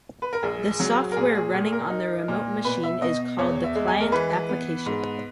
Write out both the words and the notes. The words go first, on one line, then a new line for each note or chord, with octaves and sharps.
The software running on the remote machine is called the client application.
B4
A#4
A#1 G#4
F#3 G#4
A#4
A#2 G#4
G#4
A#2 G#4
A#4
D#4
A#2
B2 B4
E5
B2 D#5
E2 C#5
E5
G#3
G#5
A#4
E3 B4
B3
G#2